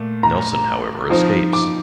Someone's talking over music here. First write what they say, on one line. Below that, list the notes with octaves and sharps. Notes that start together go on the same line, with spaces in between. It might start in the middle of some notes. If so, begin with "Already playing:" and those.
Nelson however escapes.
Already playing: A#2 A3
A#5
F3 C4 D#4
D6